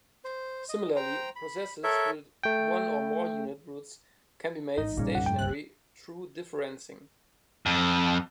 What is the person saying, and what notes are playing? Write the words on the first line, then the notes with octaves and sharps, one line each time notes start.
Similarly, processes with one or more unit roots can be made stationary through differencing.
C5
D#5
C5 G5 A#5
B5
A4 A#4 C#5 E5
A3 G5
A1 G#2 D#4
G2 A#2 C#3
C2 D3 F#5
F2 A2 G5
G1 C#2 F#6
F2